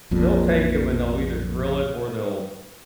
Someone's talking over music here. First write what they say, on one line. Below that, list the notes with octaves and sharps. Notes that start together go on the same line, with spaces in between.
they'll take 'em and they'll either grill it or they'll
A#1 F2 A#2